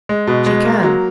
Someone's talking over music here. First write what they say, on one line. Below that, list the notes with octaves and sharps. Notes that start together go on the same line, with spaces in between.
She can!
G#3
B2
G#3
A#3
F#3